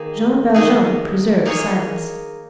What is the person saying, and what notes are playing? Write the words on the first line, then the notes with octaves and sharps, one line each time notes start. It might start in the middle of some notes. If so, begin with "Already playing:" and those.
Jean Valjean preserved silence.
Already playing: D#3 A#3 D#4 G#4
D#3 A#3 D#4 G#4
A#3 D#4 G#4 C#5